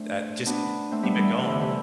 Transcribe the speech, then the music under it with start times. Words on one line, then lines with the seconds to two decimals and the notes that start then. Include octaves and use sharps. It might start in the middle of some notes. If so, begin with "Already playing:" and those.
That just keep keep it going.
Already playing: A3 C4 D4
0.46 B3 D4
0.91 A3 C4
1.03 G3 B3
1.14 E3 G3
1.38 C3 E3
1.50 D3
1.60 C3 E3